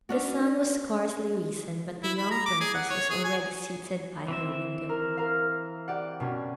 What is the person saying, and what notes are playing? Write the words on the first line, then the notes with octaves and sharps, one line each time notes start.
The sun was scarcely risen, but the young princess was already seated by her window.
C#4 D4 F#4
E4
B5
A#5
D6
G#4
F#5
C#5
G#4
G#5
E3 C4 E5
A#4
A#4 F5
G4 D5 F#5
B2 A#3 C#4